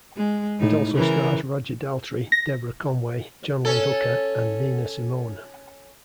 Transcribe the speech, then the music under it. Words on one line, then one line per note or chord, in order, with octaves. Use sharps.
It also stars Roger Daltrey, Deborah Conway, John Lee Hooker, and Nina Simone.
G#3
A2 D#4
C#3 E3 A#4
A#6
C#4 A4